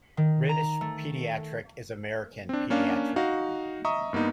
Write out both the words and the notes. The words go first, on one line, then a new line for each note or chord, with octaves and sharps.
British paediatric is American pediatric.
D#3
A#5
A3
C4 D4
A#3 C#4 D4 F5
D#4 F#4 F5
D#5 E5 A#5 C#6 D#6
G2 A#3 B3 D#4